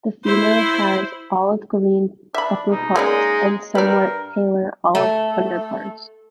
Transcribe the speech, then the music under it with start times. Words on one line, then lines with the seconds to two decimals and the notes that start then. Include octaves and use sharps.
The female has olive-green upperparts, and somewhat paler olive underparts.
0.25 E4 C5
2.35 D4 E5 B5
2.70 B2 D#4
2.96 G#3 A#3 C#4 D5
3.75 G2 A#4 B4 D5
4.95 A3